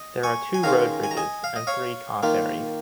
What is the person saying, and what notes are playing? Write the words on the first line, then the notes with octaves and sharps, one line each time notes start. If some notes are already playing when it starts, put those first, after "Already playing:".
There are two road bridges and three car ferries.
Already playing: D#5
G#5 C#6
G#5
D#3 G#3 C#4 F4 F5 A#5
G#5
A#5
D#5 G#5
F5
D#5
C#5 F5
D#3 A#3 F4